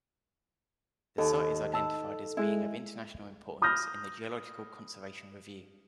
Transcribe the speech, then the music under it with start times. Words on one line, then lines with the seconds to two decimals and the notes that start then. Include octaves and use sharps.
The site is identified as being of international importance in the Geological Conservation Review.
1.18 D#2 A4
1.73 A5 E6
2.37 G#3 E4
3.62 B5 D#6 F6 G6 A#6